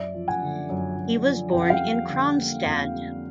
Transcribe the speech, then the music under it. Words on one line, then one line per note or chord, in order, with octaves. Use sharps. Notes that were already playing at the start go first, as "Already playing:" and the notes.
He was born in Kronstadt.
Already playing: F#2 D5 E5
F3
F#5 G#5
D3
F#2
F#2
F3
F2 G5
F#5
F5 G5
G3
D3
A#3
F2
G3